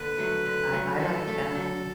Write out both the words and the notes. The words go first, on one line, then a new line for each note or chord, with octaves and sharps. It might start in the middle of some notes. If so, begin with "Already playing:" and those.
I I like, um
Already playing: D3 A#3 B4
F#3 A3
D3
F#3 A3
F#3 A4
A3 D4
F#3